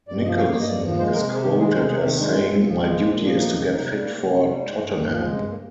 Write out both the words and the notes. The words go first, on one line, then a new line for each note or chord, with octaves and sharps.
Nicholson is quoted as saying My duty is to get fit for Tottenham.
G2 D5
F3 D#5
A#3 F5
G2
D#5
G2 D5
F3
G#3 C5
C3 A#4
C3 G#4
D#3 G4
G#3 G#4
C3 C5
C3 G#4
D#3 G4
G#3 D4
A#2
A#2 C4
F3
G#3 C4
A#2 A#3
A#2 C4
F3 D4
A#3 D#4
C3
C3
G3
A#3
C3
C3
G3
G#3 D#4
G2
G2 D4
F3
G#3 C4
G2 C4
A#3